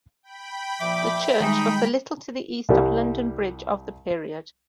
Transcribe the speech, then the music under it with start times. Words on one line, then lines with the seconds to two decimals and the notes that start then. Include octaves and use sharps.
The church was a little to the east of London Bridge of the period.
0.23 G5 B5
0.80 A#2 F3 E5 D6
1.41 D#3 G3 G#3 D#4
2.69 C2 G3